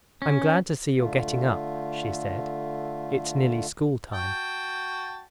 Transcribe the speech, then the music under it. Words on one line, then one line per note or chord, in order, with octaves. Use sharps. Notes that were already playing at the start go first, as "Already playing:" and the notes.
"I'm glad to see you're getting up," she said; "it's nearly school-time."
C#4
D3 A3 F4
F#4 G5 A5